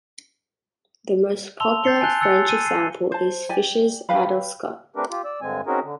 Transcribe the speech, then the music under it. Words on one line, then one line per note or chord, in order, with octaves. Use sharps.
The most popular French example is Fischer's Adelscott.
A5 C6 E6 F7 G7
G6 A6 C7 C#7 G7
G#5 A5 F#6 G7
E6 F#6 A6 C#7
D#7
C7
C5 A5
G4 D5 G#5
G4 B4 F5 B5
A3 C4 D4 G4 A#4 B4
F4 G4
D5 E6
G2 D3 G#3 C4 G#5
C4 C#4 D#4 F#4 G#4 A#4
D3